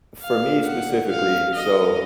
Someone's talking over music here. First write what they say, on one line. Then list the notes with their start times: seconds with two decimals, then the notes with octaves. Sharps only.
for me specifically, so
0.22 F5
0.66 F#5
1.10 F5
1.55 D#5